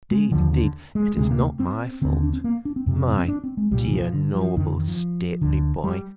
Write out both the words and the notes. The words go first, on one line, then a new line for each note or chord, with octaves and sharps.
Indeed, indeed, it is not my fault! My dear, noble, stately boy!
G#3
D#2 D3 F3
D3
G#3
D2 C3 G#3
A#3
C4
D#2 D3 C4
C4
D4
C4
A#3
D4
C4
F2 C3
C4
C4
C4
D4
C4
G#3
C2 A#2 G3
D#3
F3
D3
F3
F2 D3 D#3
D3
D#3
F3
D2 D3
G3